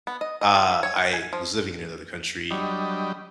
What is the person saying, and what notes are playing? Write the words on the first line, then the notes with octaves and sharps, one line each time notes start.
uh, I was living in another country,
B3
D#5
D#5
F4
E5
C#5
F#5
G#5
F3
F#3 G3 D4 D#5 G5 B5